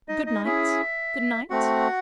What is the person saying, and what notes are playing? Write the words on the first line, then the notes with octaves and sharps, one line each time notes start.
Good-night. Good-night.
D#4 D#5
D#4 D#5
C#4 E4 G#4 E5
A3 C4 F#4 F#5